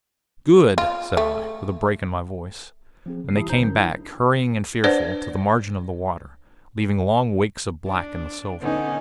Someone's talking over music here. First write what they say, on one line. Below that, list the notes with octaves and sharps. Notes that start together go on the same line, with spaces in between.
"Good!" said I, with a break in my voice; and they came back, hurrying and fearful, to the margin of the water, leaving long wakes of black in the silver.
F4
A3
F3 C4 G#4
C#3 C7
E3 G3 E4 G4 A5 D#6
A#1 D#4 C5 A#5 G6
D3 F#3 C#4 A#4 G6
D4 E4
D4 B4 C5 D5 F#5
D4
D3 B3 C#4 D#4